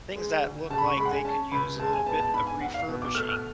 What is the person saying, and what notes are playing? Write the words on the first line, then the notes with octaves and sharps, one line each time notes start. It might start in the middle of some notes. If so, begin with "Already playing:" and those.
things that look like they could use a little bit of refurbishing.
G#3
D2
C#3 A5
B5
C#6
G#3 B5
F#5
G#5
C#4 A5
C#2 B5
G#3 A5
G#5
B3 A5
A5
G#2 B5
G#5
G#2 F#5
F5
B2
D6
A3 F6
F6